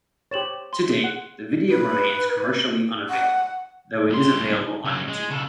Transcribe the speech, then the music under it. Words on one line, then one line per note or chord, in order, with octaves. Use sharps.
To date, the video remains commercially unavailable, though it is available on YouTube.
G4 C5 C#5 A6 E7 F#7
C6
G#4
F#5
B4
F#5
C2 C6
C#3 F#3
G#3
C#3 A4